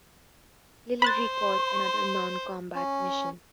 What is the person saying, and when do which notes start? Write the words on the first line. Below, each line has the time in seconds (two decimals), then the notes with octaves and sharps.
Lilly recalled another non-combat mission.
1.02 C5 B5 C6 F#6 A6
2.75 C#4